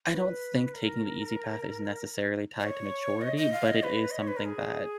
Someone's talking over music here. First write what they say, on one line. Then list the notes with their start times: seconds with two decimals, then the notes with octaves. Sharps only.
I don't think taking the easy path is necessarily tied to maturity, but it is something that
0.11 B4
0.74 A#4
2.60 D#5
2.63 C#5
3.21 D#5
3.37 D#5
3.52 F5
3.68 D#5
3.83 B4
4.11 D#5
4.19 C#5
4.28 B4
4.37 A#4
4.45 G#4